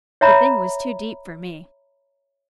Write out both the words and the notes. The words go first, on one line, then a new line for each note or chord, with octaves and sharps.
The thing was too deep for me.
C#5 E5 A#5 B5